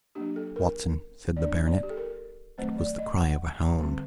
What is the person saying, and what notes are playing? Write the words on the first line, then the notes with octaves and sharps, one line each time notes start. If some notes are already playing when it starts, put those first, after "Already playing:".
"Watson," said the baronet, "it was the cry of a hound."
F#3 A#3 D4 G4
A4
A#4
F#3 A#3 D4 D5
D5
G4
A4
A#4
D#3 F#3 A3 C4 C5
D5
D#5
F#5
D3 G3 C4